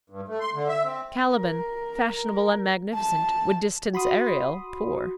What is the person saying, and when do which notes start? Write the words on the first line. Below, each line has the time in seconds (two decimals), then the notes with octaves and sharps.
Caliban, fashionable and magnificent, would distance Ariel, poor.
0.10 G2
0.28 A3
0.40 C6
0.54 D3
0.68 E5
0.83 C4
1.32 A#4
2.94 A5
3.93 F#4 B5 C6 D#6